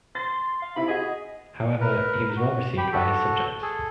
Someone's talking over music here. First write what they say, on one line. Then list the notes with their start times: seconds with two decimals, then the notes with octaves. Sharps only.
However he was well received by his subjects.
0.15 C6 A6
0.62 F5
0.76 C3 E4 B5 B6
0.88 F#4 G#4 D#5
1.81 A#4 B4
2.37 F#4
2.78 G4 G5 B5
2.92 F#4 A4
3.62 G#4 A4